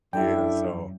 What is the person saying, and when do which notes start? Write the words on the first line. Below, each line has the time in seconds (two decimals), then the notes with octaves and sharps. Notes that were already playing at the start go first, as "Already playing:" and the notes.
Yeah, so
0.13 F#2 D4 E4 A4 G5